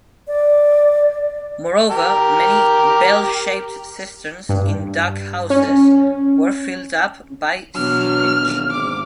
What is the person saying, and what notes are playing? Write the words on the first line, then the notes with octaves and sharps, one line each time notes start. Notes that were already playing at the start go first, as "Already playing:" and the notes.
Moreover, many bell-shaped cisterns in dug houses were filled up by seepage.
D5
G4 A#4
G2
C#4
B2 E3 F#3 D4 F6
D#1
G#1 D6